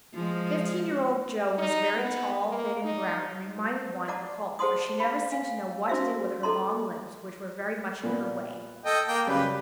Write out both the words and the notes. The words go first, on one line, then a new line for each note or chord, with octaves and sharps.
Fifteen-year-old Jo was very tall, thin, and brown, and reminded one of a colt, for she never seemed to know what to do with her long limbs, which were very much in her way.
F3 G#3
D#4
B3
A#3
D#4
D5 D#5 F#5 A5 A#5 D6
G#4 C5 F#5 A5 C6 D#6
F5 B5
F5 G#5
C#4 F#4 C5 E5 F5
A4 D#5 A5 A#5 C6
A#2 B3
A4 D#5 G5
A#3 G5
F#2 C#3 G3 G4 B4